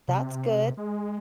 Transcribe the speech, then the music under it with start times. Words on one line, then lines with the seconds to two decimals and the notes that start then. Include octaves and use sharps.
That's good.
0.08 C3
0.77 G#3